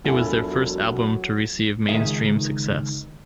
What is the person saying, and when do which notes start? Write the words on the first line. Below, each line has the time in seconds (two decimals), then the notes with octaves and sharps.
It was their first album to receive mainstream success.
0.05 E1 F#3 E4 F4 A4 G#5
1.89 C#2 D#3 D#4 G#4 E5